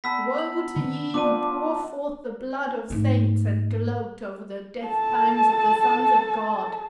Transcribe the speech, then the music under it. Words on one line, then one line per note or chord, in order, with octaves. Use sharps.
Woe to ye who pour forth the blood of saints, and gloat over the death-pangs of the sons of God!
B3 A5 A#5 E6 B6
F#7
D#3 B3 B5
F3 B3 D4 D6 D#7
G#2 A3
A4 A5